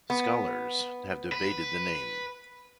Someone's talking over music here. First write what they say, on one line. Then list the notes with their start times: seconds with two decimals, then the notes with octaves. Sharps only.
Scholars have debated the name.
0.10 B3
1.32 B4